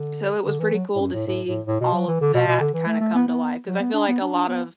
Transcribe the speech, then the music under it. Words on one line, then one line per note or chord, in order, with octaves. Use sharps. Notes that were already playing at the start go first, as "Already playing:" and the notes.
So, it was pretty cool to see all of that kinda come to life, 'cause I feel like a lot of
Already playing: D3
D3
E3
F#3
A2
F#2
A2
A2
A2
A2
B2
F#3
E3
D3
B2
B2
D3
E3
A3
A3
B3
B3
F#3
B3
D4
B3
D4
D4
B3